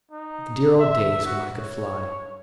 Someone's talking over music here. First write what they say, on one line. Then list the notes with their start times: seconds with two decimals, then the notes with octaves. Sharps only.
"The dear old days when I could fly!"
0.11 D#4
0.79 E5
1.25 F#4
1.59 C#5